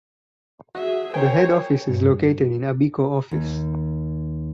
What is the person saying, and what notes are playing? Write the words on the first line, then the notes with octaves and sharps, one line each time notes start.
The head office is located in Abiko Office.
F#4 G#4 E5
A#4 C5 C#5 G5 G#5
G2
D#2